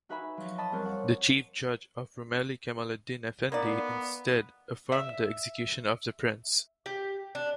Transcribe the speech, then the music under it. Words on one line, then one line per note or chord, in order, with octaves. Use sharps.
The Chief Judge of Rumeli Kemaleddin Efendi instead affirmed the execution of the prince.
D#4 F#4 B4 E5 G#5 B5
F3 F#3
D#5 A5 B5 C6 D#6
F2 G3 A#4 C5 C#5 F#6
F#5
A#3 B3 D#4 D5
E5
G4
D4